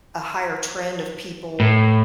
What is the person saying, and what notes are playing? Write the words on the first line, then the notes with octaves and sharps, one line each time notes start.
a higher trend of people
A2